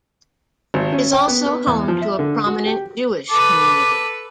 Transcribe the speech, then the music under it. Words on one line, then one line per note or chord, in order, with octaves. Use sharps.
It is also home to a prominent Jewish community.
G#1
C#4
G5
B3
B3
E2
F3
E5
D3
F#4
G4
A4 B4 D6